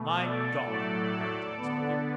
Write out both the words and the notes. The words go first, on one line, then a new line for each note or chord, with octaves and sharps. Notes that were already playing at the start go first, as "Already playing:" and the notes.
"My God!" Harrington exploded.
Already playing: B2 A3
A4 D5
A2 F#3 A3 A4 D5
D3 B3